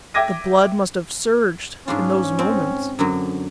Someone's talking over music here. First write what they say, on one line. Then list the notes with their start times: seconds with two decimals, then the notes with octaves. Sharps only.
The blood must have surged, in those moments.
0.14 E5 G5 D6 G#6 A#6 D#7
1.88 G#2 C#4 D4 F4
2.39 C4
2.99 F#2 D3 F#3